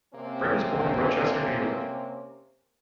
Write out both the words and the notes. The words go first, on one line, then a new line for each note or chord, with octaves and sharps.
Breck was born in Rochester, New York.
C3 A#3 C4 C#4 C5